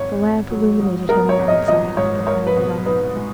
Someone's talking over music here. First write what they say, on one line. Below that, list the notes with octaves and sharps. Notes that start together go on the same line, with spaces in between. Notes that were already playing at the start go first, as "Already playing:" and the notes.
The lamp illuminated him on one side, the firelight on the other.
Already playing: G#1 C#5
G#1
F#3
G#2
B3 A#4
C#5
G#1
D#5
F3 D#5
G#2 C#5
A#4 C#5
B4
B2
D#4 B4
G#3